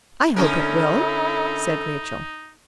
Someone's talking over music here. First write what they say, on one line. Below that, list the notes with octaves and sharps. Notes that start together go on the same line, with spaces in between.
"I hope it will," said Rachel.
D3 C#4 D#4 E4 A4 A#4